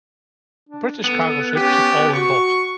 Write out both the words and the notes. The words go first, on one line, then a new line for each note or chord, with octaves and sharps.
The British cargo ship took all on board.
D4
B3 A4
C#4 G4
F#4 C#6